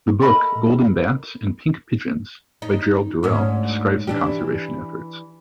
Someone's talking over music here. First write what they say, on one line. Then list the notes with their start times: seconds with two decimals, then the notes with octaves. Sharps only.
The book "Golden Bats and Pink Pigeons" by Gerald Durrell describes the conservation efforts.
0.22 A4 A#4 D#5 B5
2.62 D#4
3.23 D2 G#2 C#4
4.07 E3 D4 G4